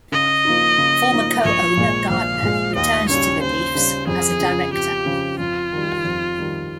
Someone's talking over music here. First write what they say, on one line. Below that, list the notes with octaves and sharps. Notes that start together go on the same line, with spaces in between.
Former co-owner Gardiner returned to the Leafs as a director.
C#3 D#5
F3 A#3 D#4
C#3
F3 A#3 D#4
A#1 C#5
A#2 G#3
A#1 F5
A#2 G#3
D#2 D#5
C#3 G3 C#4 C#5
D#2 C5
C#3 G3 C#4
F2 G#4
C#3 F3
F2 G4
C#3 F3
F2 F4
D#3 G3
F2
D#3 G3